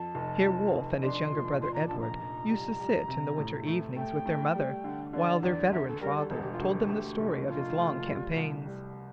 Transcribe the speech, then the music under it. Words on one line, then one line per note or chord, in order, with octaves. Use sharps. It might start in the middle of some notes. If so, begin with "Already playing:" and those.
Here Wolfe and his younger brother Edward used to sit in the winter evenings with their mother, while their veteran father told them the story of his long campaigns.
Already playing: F2 A5
F1
F2
F1
D4 C6
A#2
A#2 C6
A#5
A#1 A5
A#5
F1
G3
G3
C3
A2
A3
A3 G5
A3
G3
D3
D3 D5
E2 D5
D2 E5
A4
G3 A#4
A4
E1 A4
G4
F4
D2 A4
G4
A3
F1
F1 F4
A3
G3
C2
G3